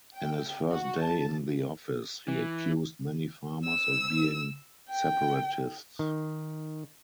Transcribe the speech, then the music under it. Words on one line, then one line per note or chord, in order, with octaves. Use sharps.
In his first day in the office, he accused many farmers of being separatists.
G5
F#4
A5
E3
E6
G5
D#3